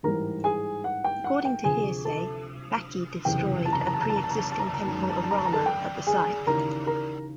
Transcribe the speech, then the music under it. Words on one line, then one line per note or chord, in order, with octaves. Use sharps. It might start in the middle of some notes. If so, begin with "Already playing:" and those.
According to hearsay, Baqi destroyed a pre-existing temple of Rama at the site.
A1 G#2 E3 G3 A#4 A#5
G#4 G#5
F#5
G5
F#5
G5
D2 C3 F3 G#4 G#5
A4 A5
F#1 E2 C3 G5
A5
A#5
A5
A#5
A5
A#5
A5
A#5
A5
A#5
A5
A#5
A5
A#5
A5
A#5
A5
F#2 D#3 G#3 A#5
A5
A#5
A5
A#5
A5
A#5
A5
A#5
A4 A5
G5
G#4 G#5
D#2 C#3 E3 A#4 A#5
A#4 A#5